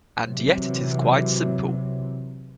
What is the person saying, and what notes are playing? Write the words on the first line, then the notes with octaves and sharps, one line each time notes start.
And yet it is quite simple.
C3 E3 F#3